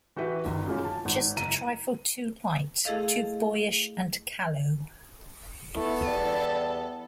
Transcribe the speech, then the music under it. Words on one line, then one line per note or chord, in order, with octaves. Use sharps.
Just a trifle too light, too boyish and callow.
E3 F#4 G4 B4 E5
G1 D#3
F#2 A#2 G#3 A#3 C#4 F4
A5
G#1
F#1 E4 A#5 D#7
A3 E4 G#4 A4 D#5 F5
A3 B3 E4 A4
E2 G3